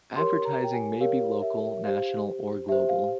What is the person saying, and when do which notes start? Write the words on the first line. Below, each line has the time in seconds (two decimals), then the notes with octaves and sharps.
Advertising may be local, national or global.
0.16 G4 A#4 C#5 C6
0.45 A#5
0.64 G5
0.73 G#5
1.00 G4 A#4 C#5 F5
1.42 E5
1.84 G4 C5 F5
2.68 G4 C5 E5
2.89 F5